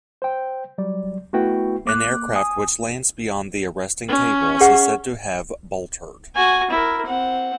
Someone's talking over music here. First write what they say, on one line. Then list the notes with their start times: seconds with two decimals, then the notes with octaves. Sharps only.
An aircraft which lands beyond the arresting cables is said to have boltered.
0.22 C5 G5
0.78 F#3 G3 D5
1.33 A3 B3 E4 F#4 B4 G5
1.86 A#3 D6 F#6
2.36 G#5 D#6
4.09 C#4
4.61 G#4 F#5
6.36 F#4 G#5
6.70 E4 A#4
7.06 C4 F#5